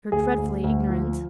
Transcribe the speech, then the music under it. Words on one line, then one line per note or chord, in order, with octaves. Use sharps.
"You're dreadfully ignorant."
D2 G#4
D2
D2
F3